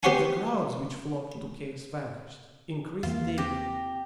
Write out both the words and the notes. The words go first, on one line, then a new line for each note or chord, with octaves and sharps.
The crowds which flocked to "Chaos Vanquished" increased daily.
B3 G4 C5 C#5 F#5 G#5
E2 E3 A#3 F4
C4 G4 A#6